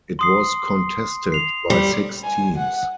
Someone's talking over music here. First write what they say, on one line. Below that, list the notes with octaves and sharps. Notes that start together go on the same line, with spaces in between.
It was contested by six teams.
C6 D#6 C7
C7 F7
G3
G#5
F#5